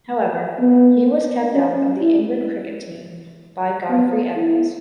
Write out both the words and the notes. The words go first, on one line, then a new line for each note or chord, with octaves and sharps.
However, he was kept out of the England cricket team by Godfrey Evans.
B3
C#4
E4
B3
E4